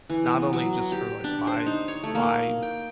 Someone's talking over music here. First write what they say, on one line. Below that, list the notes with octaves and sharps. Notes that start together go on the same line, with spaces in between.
not only just for, like, my my
E3
B3
F#3
G4
D4
C5
D#4
C#5
A3
A#3
G5